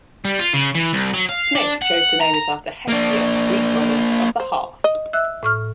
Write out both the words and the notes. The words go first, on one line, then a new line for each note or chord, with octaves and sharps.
Smyth chose to name it after Hestia, Greek goddess of the hearth.
G3
F4
C#3
E3
C2
F#3
F5
D4
F#5
A#5
A#5
A#3 D4
C5
D#5
E5 E6 F#6
A2 C#6 F6